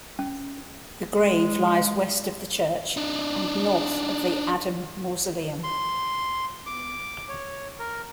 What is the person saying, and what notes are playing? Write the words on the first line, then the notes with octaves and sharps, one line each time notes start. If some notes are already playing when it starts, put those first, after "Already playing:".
The grave lies west of the church and north of the Adam mausoleum.
C#4
G#3
D4 D#4
C6
D6
C#5
A#4